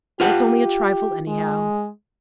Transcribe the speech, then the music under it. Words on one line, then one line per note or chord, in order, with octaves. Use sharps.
It's only a trifle, anyhow.
F4 G4 B4 F#5
G#3